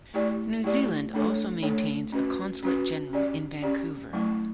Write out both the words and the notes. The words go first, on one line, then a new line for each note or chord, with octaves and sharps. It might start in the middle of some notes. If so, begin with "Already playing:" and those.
New Zealand also maintains a consulate-general in Vancouver.
A3 E4 G4 D5
A3 E4 G4 D5
A3 D4 A4 C#5
A3 D4 A4 C#5
C#4 F#4 B4
C#4 F#4 B4
C#4 G4 D5
C#4 G4 D5
F#3 A3 E4